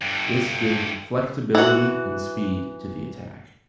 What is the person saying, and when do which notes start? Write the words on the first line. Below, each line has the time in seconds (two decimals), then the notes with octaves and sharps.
This gave flexibility and speed to the attack.
0.02 G2 D3
1.55 E3 F#4